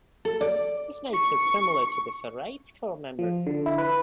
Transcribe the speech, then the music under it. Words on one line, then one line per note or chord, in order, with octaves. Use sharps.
This makes it similar to the ferrite core memory.
A4
D5
C#6
F3
D3
E4
B4